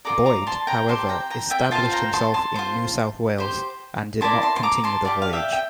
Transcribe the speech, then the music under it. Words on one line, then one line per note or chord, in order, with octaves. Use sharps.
Boyd, however, established himself in New South Wales, and did not continue the voyage.
F4 A4 D5 A#5 D6
A#5 D6
A5 C6
G5 A#5
G4 C5 A5 C6
G5 A#5
G5 A#5
E5 G5
F4 C5 F5 A5
G5 A#5
A5 C6
A5 C6
F4 C5
G4 C5
E4 A#4 D5 A5 C6
A5 C6
C6
A#5 D6
A5 C6
G4 D5 F5 A5
F5
E5 G5
G5